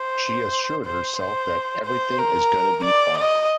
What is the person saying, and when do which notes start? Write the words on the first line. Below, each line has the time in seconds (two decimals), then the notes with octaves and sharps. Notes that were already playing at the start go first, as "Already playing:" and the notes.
She assured herself that everything is gonna be fine.
Already playing: C5
0.86 C5
1.19 C5
1.85 C5
2.19 A#4
2.85 D5
3.18 D#5